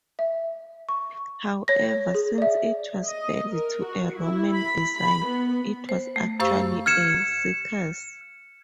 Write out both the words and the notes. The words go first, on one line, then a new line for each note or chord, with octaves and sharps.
However, since it was built to a Roman design, it was actually a circus.
E5
C#6
C#5 A#6
G#4
D5 E5
D#5
A#4
F#4
E4
B5
B5
B3
C5
A3
F#2 G4 C5 F5 C#6 E6
F6 G#6 C#7 E7